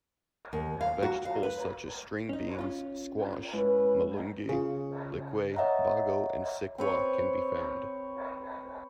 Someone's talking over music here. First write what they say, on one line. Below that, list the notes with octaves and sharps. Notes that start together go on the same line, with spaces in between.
Vegetables such as string beans, squash, malunggay, likway, bago and sikwa can be found.
D#2
F5
F#4
F5
B4
C#4 D#4
C#4 F4
G#2 C#4 E4 B4
C#3 F4 G#4
C#5 D#5 E5 F#5 A#5
C4 B4 C#5